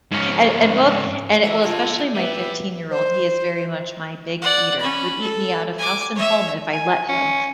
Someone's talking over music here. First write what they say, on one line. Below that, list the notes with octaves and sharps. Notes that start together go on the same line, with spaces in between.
and and both and it well, especially my fifteen-year-old, he is very much my big eater, would eat me out of house and home if I let him,
G#2 C#4
G#2 E3 E4 F#4 A4 A#4 C#5 E5
A2 D3 F3 F4 A4 G#5 A5
A#2
E3 B3 G4 B4 E5
C5
D5 F#5
C#4 B5
A4
G#5 D6
C#5 E5
G#5
C#4